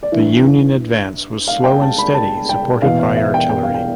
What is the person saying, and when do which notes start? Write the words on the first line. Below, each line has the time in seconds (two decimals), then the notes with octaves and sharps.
The Union advance was slow and steady, supported by artillery.
0.03 D5
0.12 G2 E3 E5
1.47 F5
1.64 G5
1.82 A5
1.98 B5
2.14 A5
2.49 G5
2.82 E2 B2 F5
2.99 F5
3.16 E5
3.34 G5
3.50 G5
3.63 F5
3.74 G5